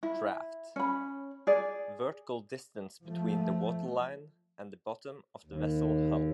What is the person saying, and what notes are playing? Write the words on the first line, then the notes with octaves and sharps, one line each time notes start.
Draft- Vertical distance between the water line and the bottom of the vessel hull.
E4
C#4 B5
G#4 D5
F3 A3
D#2